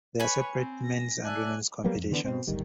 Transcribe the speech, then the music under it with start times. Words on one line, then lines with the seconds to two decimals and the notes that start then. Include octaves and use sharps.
There are separate men's and women's competitions.
0.20 B4 C#5 G#5 B5
0.56 C4
0.85 A#6
1.25 D4 D5 E5 G#5 F#6
1.84 F#3 G3 A#3 B3
1.96 F2
2.11 D3 E3 B3 D4
2.25 B2 C4
2.47 D1 G1 D#3 G3